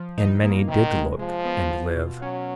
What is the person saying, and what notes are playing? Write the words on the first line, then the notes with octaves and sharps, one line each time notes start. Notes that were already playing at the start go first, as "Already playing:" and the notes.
And many did look and live.
Already playing: F3
D#4
A#3
C3 D#3
G#3
F3 G#3
B3
F4
B2
F#3 C#4